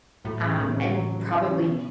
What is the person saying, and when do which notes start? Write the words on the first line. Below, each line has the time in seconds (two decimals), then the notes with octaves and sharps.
um, and probably
0.24 A2 F#3
0.42 C#3
0.59 A2 C#4
0.77 C#4
0.95 F#3
1.13 F#3
1.31 E4
1.48 C#4
1.67 B2